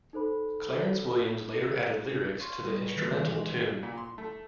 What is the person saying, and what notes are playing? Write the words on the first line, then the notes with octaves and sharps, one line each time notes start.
Clarence Williams later added lyrics to the instrumental tune.
D#4 A4 C5 B5
C#5 D5 F5 C6 C#6
G3 B3 G4 G#4 B4 D#5
A4 C#5
D3 E3 F#3 G#3 A#3 C4
B2 E3
G#3 C4 C#4
A#2
C6
A3